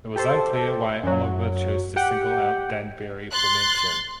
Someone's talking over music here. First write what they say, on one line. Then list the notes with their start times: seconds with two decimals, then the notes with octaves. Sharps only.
It was unclear why Oliver chose to single out Danbury for mention.
0.16 G4 A4 C5
1.03 F#2 F#3
1.96 G4 F#5 G5
3.30 C6 F#6 A6